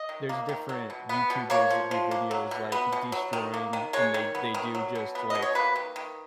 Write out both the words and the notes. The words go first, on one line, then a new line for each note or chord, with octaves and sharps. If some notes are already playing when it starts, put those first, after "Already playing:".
there's different YouTubers that do videos like destroying and they they do just, like,
Already playing: D#5
D#3
A#3
D#3
F#3
B2
B3
B2
A#3 C#5
F3
F3
A#3
F#3
B2
B3
B2
F#3
D#3
A#3
D#3
G#3 C#5
D#3
B3
D#3
F#3
B2
B3
B2 D#5
C#5
A#3 B4
D#3
D#3